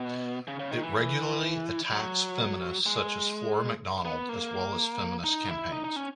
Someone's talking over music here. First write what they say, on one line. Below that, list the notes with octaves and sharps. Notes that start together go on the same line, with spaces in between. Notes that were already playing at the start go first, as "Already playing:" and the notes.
It regularly attacks feminists such as Flora MacDonald as well as feminist campaigns.
Already playing: B2
C#3
C#3
D#3
E3
F#3
G#3
B3
A#3
D#4
E4
D#4
D#4
C#4